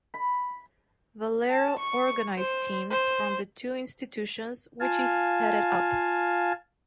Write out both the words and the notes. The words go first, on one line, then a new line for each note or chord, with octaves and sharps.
Valero organized teams from the two institutions, which he headed up.
B5
A5
C#6
C5
C5
F4 F5 G#5 A5